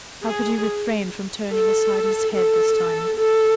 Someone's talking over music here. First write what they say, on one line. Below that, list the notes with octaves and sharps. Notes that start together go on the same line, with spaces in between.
How could he refrain from turning aside his head this time?
G#4
A4
A4
A4